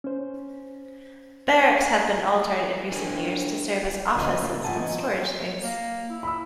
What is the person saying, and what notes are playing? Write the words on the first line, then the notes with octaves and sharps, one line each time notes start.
Barracks have been altered in recent years to serve as offices and storage space.
C#4 C5
D4 E4 A#4 C5 G5 G#5
C#3 E3 B4 D#5
C4 F4 E5
F2 G#2 E4 F#5 G#5 A5
E3 F#3 D#5
C5
A#3
E4
B5 E6